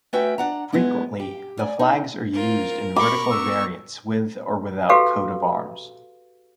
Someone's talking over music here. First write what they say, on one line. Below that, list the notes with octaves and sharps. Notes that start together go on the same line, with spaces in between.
Frequently, the flags are used in vertical variants with or without coat of arms.
A3 C#4 F#4 B4 E5 G5
D4 F#5 A#5
G2 G#3 B3 E4
G4
A3 D5 G#5
D#4
C4 F4 A#4
A#4 B5 C#6 D6
B3 E6
F#4 G4 A4 B4 F5